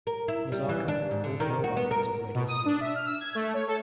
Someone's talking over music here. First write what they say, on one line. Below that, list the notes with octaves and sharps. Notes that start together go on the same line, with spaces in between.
Nazarka, all curled up, was already asleep.
A#4
E4
G3
E3
D4
G#2
D3
D#3
F#4
B3
A#4
B2
D#6
D4
E5
F6
E6
G#6
A3
C#5
A4